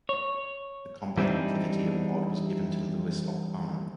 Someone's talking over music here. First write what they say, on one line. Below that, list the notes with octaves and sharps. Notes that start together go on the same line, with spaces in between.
The combativity award was given to Luis Ocana.
C#5
E3 G3 C4 D4 D#4